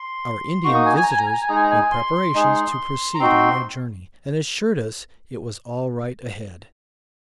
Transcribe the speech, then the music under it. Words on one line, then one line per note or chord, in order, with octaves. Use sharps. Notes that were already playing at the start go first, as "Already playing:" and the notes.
Our Indian visitors made preparations to proceed on their journey, and assured us it was all right ahead.
Already playing: C6
A#3 D#4 F#4 C#6
D#6
G#5
G#5
A#5
G#5
A#5
G#5
A#5
G#5
G#3 D#4 G#4 A#5
G#5
A#5
G#5
C6
G#3 D#4 G#4
A#5
C4 D#4 F#4 C6